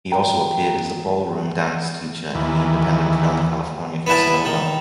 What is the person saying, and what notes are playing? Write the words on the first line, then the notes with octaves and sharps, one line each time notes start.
He also appeared as a ballroom dance teacher in the independent film "California Casanova".
G5 A#5
D#2 E3
B3 E4 A5
D#3